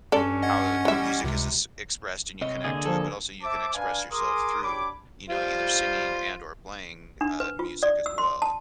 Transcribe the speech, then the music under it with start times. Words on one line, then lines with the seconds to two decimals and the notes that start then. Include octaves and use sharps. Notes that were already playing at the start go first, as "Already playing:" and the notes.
how, eh, music is es expressed and you connect to it, but also you can express yourself through, you know, either singing and/or playing, uh, music as well.
0.12 G2 C#4 A4 D5
0.42 D#5 F#5 G#6
0.85 E3 G3 E5
1.24 C#2 C3
2.41 C3 C#5 D#5
2.65 D3 A#3 G#4
2.85 F3 A4
3.42 C5 E5 A5 D6
3.74 D4 B4 D5 F5 G#5
4.11 G#4 A#4 G#5 C6 D6 D#6
4.62 D4 G4 C#5 B5 D6
5.30 G3 F4 C5
7.21 D4
7.40 B4
7.59 F4
7.83 D5
8.06 E6
8.18 C6
8.42 A5